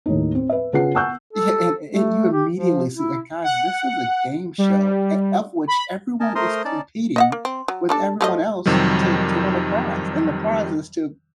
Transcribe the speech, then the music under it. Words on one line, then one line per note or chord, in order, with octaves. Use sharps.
e he a a and you immediately see that, "Guys, this is a game show, eh, of which everyone is competing with everyone else to to win a prize, and the prize is to
D#2 A2 D#4
C4
B4 E5
C#3 F4 G#4 B4 F#5 C7
F#5 G#5 C#6 E6 F#6 G6
A4
A3
G4
F3
E4
F#5
G3
B5
A#4 D#5 G#5 A5
A3 A#4 C5 A#5 C6 D#6
C#4 D#4 D5 A5
D#5 E5 F#5
A#3
C4
F#3
G3 D4 A4
F3 A3 D#5
F2 C3 D#3 F#3 G3